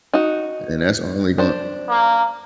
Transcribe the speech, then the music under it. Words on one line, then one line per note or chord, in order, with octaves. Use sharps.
And that's only gonn
D#4 F#4
D4 C5
A#3